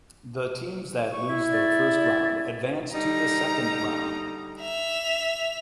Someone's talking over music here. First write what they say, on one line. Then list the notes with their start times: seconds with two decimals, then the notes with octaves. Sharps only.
The teams that lose their first round advance to the second round.
1.12 C#6
1.29 E4
1.51 D5
2.94 D3 G3 D#4 A#5
4.61 E5 F7